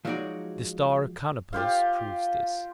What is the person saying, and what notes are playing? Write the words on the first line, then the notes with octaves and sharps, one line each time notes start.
The star Canopus proves this.
F3 F#3 G#3 D#4 F#4 D5
F4 G4 C5 F5